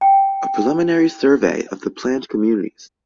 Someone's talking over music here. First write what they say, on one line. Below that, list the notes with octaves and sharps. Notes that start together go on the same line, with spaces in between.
A Preliminary Survey of the Plant Communities.
G5